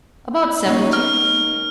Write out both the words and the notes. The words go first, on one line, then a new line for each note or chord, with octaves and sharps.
"About seventy."
A#3 C#4 D#4
F6